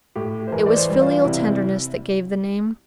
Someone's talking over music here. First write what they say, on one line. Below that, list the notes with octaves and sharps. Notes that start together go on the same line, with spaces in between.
It was filial tenderness that gave the name.
A2 G4
C5
E3 A#4
D5
C5
G3
F4
C3 E4